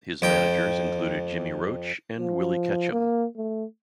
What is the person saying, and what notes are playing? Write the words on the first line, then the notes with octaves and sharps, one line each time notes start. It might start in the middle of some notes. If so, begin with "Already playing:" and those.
His managers included Jimmy Roche and Willie Ketchum.
F2 G5
F3
A#3
A3